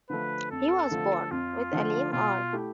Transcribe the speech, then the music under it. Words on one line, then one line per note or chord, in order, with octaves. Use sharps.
He was born with a lame arm.
D3 F3 A3 B4
F2 A4
D3 F3 A3
F2 F4
D3 F3 A3
B2 F4
A3 E4 G4